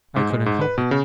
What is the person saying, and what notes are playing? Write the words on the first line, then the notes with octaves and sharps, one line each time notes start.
I couldn't help it.
G#2
G#3
G#2
B4
B2
C#3